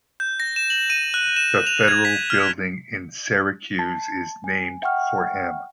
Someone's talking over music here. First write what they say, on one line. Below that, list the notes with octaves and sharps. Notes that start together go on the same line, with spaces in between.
The federal building in Syracuse is named for him.
G6
A#6
E7
F#7
D#7
F#6
E7
F7
G#6
B6
F6
A5
G#5
E5 F#5 G5 C#6 F6